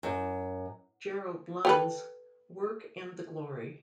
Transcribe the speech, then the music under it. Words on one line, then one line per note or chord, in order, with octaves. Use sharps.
Gerald Lund's "Work and the Glory".
F#2
G4 A4 B4